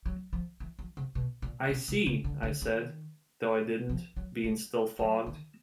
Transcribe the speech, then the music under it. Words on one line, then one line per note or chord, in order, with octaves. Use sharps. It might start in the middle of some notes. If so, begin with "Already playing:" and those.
"I see," I said, though I didn't, being still fogged.
F#3
F3
E3
F3
C3
B2
A#2
B2
C3
C#3
D3
D3
D#3
F3
F#3
G3
F#3
D#3